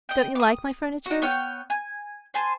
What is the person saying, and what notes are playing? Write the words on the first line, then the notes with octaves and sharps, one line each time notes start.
Don't you like my furniture?
D#5 G5
D6 D#6
D4 F#4
B3 C#5 G5 F6
G#5
C5 G#5 A5 C6